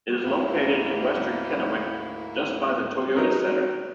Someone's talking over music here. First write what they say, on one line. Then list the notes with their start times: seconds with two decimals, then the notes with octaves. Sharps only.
It is located in western Kennewick, just by the Toyota Center.
0.24 D2 G#2 A#3 E4
3.15 F#3 D#4 A#4 B4